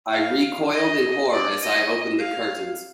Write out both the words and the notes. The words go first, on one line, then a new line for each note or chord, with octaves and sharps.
I recoiled in horror as I opened the curtains.
F5
D#5
D5
D#5
F5